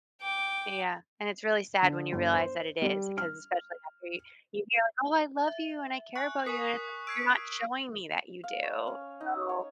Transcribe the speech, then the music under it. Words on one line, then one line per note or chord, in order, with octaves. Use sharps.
yeah, and it's really sad when you realize that it is 'cause especially after y you hear, "Oh, I love you, and I care about you." and it's, like, "You're not showing me that you do," so
G5 D6
D3
G1
C5
G3
F6
E5
G#5 C#6 F#6
A#4 G#5 C#6 D#6 B6
E6 G#6 C7 D7
F5
C#5
C#4
D#4
C#5